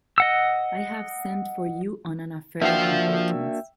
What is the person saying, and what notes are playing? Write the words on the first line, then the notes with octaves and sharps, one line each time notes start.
I have sent for you on an affair of importance.
D#5 F#5 E6
F3 A#3 D4 F#4 E5 F5 G5